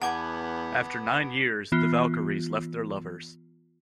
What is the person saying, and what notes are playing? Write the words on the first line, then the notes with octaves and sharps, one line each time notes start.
After nine years, the Valkyries left their lovers.
E2 B3 F#5 A5 D6 G#6
E3 B3 F4